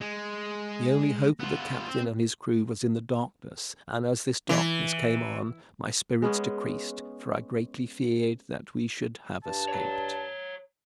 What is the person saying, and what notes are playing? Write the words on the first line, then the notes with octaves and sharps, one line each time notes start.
The only hope of the captain and his crew was in the darkness; and as this darkness came on, my spirits decreased, for I greatly feared that we should have escaped.
G#3
B3 F4
C4
E3
G#3 B3 C#4
G2 A5
C#5 A#5